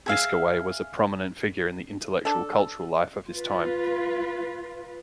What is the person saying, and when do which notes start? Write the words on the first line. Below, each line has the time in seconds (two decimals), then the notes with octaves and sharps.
Miskawayh was a prominent figure in the intellectual and cultural life of his time.
0.06 G#4 E5 F5
2.25 D4 A4
3.29 F4 B4